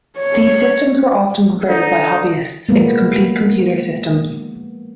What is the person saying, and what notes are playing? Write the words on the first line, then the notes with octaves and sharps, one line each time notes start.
These systems were often converted by hobbyists into complete computer systems.
C#5
D3 D#4
F3 G#3 A#3 B3